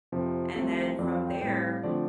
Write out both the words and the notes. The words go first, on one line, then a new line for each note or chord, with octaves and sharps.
and then from there,
F2 C3 F3
C2 C3 F3 A3 C4 A4
C5
F2 F3 C4 D5
F5
G5
A2 G3 C4 G5
F5
D3 F3 A3 C4 D5